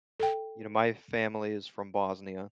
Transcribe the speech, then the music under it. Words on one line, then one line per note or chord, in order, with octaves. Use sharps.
You know, my family is from Bosnia,
A4 G5